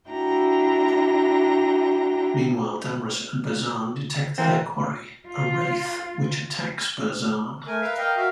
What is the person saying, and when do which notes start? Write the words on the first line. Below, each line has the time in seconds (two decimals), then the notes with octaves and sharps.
Meanwhile, Damrus and Burzaan detect their quarry, a "Wraith" which attacks Burzaan.
0.11 D4 E4 F#4 G5 A#5
4.38 E3 A#3 C4
5.28 F4
7.67 A3 A#4 G#5
7.82 A#4 B4 E5 F5
7.98 A#4 D#5 F5 G5
8.16 F#4 A#4 E5 F5